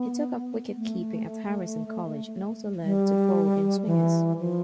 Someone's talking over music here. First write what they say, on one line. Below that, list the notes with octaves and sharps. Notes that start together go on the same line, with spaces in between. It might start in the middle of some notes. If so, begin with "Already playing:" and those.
He took up wicket-keeping at Harrison College and also learned to bowl inswingers.
Already playing: B3
A3
G3
E3
F3